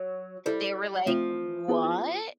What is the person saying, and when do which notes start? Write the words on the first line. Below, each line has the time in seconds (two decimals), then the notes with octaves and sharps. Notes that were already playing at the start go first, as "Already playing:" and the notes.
They were like, "What?"
Already playing: F#3
0.46 G3 E4 A4 C5
1.06 F3 A3 C4 F4
1.68 B3 E4 G#4 B4